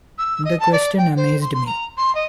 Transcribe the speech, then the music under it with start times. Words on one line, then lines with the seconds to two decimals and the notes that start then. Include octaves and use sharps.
The question amazed me.
0.18 E6
0.45 D#5
0.59 A5
0.72 D5
0.97 G5
1.16 C5
1.41 C6
1.53 C6
1.66 A#5
1.97 C6
2.14 D#5